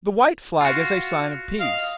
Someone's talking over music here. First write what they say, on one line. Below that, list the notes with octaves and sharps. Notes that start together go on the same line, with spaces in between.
The white flag is a sign of peace.
F4 F#4
D#5 F5